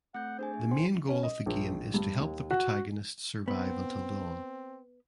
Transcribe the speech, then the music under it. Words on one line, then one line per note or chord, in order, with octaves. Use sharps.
The main goal of the game is to help The Protagonist survive until dawn.
A3 C4 F#5 G6
D4 G#4 C5 G#5
A3 G#4
C5 G5 C6
C#4
D#5
A#1
G2
D#2
F#4
B3 C4